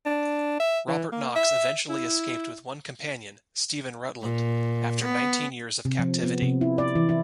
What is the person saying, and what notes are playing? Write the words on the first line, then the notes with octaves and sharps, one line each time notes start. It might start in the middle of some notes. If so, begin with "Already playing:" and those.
Robert Knox eventually escaped with one companion, Stephen Rutland, after nineteen years of captivity.
D4
E5
E3
A#3
E5
E4
A#2
B3
C3
F3
B3
C3
E4
D5
E3
E4